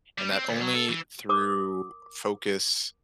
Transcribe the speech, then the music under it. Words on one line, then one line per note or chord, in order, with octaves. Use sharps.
And that only through focus
G3
C4
D2
F#3
A4
E3
A#4 D6 D#6